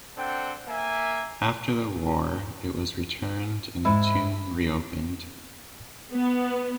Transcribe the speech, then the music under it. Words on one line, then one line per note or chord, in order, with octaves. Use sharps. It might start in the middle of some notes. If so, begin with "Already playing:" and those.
After the war, it was returned and the tomb reopened.
C4 D4 A4 C5 F#5 G5
A#3 E5 G#5
G#2 E4
B3